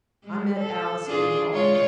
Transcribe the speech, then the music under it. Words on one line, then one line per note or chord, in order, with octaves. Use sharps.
I met Alice in the hall.
G#3
A4
D4 F4 G#4
G#3 F4 C#5